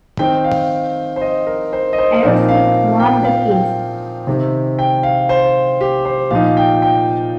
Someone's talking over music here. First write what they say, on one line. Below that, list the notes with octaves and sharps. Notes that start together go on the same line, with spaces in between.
Aerosmith won the case.
D#3 C4 D#4 G5
F5
C5
D#5
A#4
C5
D#5
C5
A#2 F3 C4 D#4 A#4
F5
G5
F5
G5
C3 D#3 C4
G5
F5
C5
G4
C5
A#2 F3 D#4 F5
G5
G5